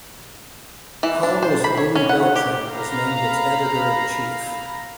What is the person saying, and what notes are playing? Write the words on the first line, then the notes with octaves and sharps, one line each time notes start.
Columnist Louie Beltran was named its editor-in-chief.
E3
D4
C5
B5
C#5
C#4
F#5
G4
F5 A#5 B5